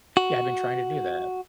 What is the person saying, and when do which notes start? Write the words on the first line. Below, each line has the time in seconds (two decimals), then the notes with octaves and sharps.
Yeah, I've been trying to do that.
0.17 F#4